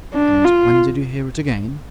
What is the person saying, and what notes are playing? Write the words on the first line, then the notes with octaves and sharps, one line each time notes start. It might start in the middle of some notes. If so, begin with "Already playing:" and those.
"And when did you hear it again?"
D4
F4